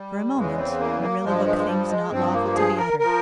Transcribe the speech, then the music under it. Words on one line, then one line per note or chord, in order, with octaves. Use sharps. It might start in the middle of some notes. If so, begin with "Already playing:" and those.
For a moment Marilla looked things not lawful to be uttered.
Already playing: G3
E2 C#3 E3 G#3
C4
A#3
A#3
G2 F3 G#3
G#3
G#3
G3
G#3
G2 F3 C4
A#3
G#4
A#4
F3 A#4